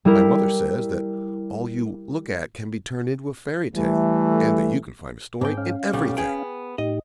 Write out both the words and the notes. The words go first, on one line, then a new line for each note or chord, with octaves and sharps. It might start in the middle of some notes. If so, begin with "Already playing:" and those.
"My mother says that all you look at can be turned into a fairy tale: and that you can find a story in everything."
G3 E4 A#4
E3 G3 A3
G#2 B3 G5
C#4 F5
B1 G3
B3 G#4 G5
A2 D#4 G4 D#5